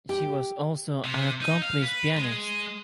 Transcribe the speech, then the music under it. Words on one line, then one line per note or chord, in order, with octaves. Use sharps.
She was also an accomplished pianist.
G4
C3
D#4
F5
B4
G#3